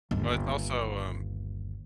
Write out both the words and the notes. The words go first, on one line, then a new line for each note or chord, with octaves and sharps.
But it's also um,
G1 D#2